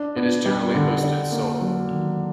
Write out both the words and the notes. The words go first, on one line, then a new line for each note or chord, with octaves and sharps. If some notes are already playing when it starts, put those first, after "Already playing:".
It is generally hosted solo.
Already playing: D4
B3
G3
D3
D4
A#3
F#3
D#3